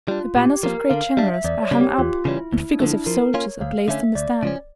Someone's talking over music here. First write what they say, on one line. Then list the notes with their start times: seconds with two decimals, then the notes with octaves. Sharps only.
The banners of great generals are hung up, and figures of soldiers are placed on the stand.
0.08 G3 D4 F4
0.36 A#2 G4
0.63 F3 A#3 A#4
0.90 D3 F5
1.17 G3 D4 E5
1.34 E5
1.44 E2 D5
1.62 C#5
1.71 C#3 G3 A#3
1.81 G4
1.99 E2 F4
2.25 C#3 E3 G3 C#4 E4
2.52 D2 E4
2.71 D4
2.80 D3 F3 A3
2.89 E4
3.06 F3 A#4
3.34 A#3 C#4 F4 C#5
3.61 D2 F5
3.88 D3 A3 C#4 E5
4.15 D2 D5
4.43 C#3 F3 C#4